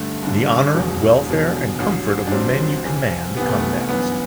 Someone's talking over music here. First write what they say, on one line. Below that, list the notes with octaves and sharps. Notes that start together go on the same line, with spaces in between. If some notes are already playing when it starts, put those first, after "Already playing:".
The honour, welfare and comfort of the men you command come next.
Already playing: G1 G2 D3 A3
G1 G2 D3
E1 E2 B2 F#3
E1 E2 B2 F#3
A1 G2 F#3
D4
A1 G2 F#3 C4
C2 C3 E3
C2 C3 E3 B3
A3
B3
G1 F#2 E3 B3